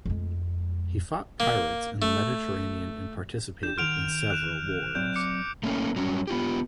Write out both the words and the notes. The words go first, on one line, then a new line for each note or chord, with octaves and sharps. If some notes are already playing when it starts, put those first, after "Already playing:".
He fought pirates in the Mediterranean and participated in several wars.
F2 G#3
A#3
A3
D4 G4 G6 E7
D#3 F#5 C6 F6 D7 F7
F#6 E7
F#3 C4 D5 G6 D7
D6 C#7
A3 A#3 C#4
F#3 G3 C#4
B3 F4 G4